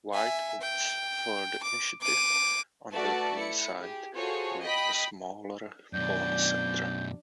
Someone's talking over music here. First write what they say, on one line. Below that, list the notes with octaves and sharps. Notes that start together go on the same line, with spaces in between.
White opts for the initiative on the queenside with a smaller pawn center.
E5 G#5
G5
D6
D6 D#7
A3 F#4 B4 D5 E5 A5
E4 C#7
G4 G#4
F4 F#4 G#4 A4 C5 C#5
D#5 G5 B5 B6
F#2 B2 D4 D5 G6